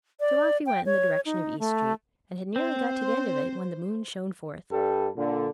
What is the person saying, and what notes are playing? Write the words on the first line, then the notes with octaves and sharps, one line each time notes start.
So off he went in the direction of East Street, and had nearly got to the end of it when the moon shone forth.
D5
G5
C#5
D#4
A3
C4 C5
G2 G3 A4
A#2 D3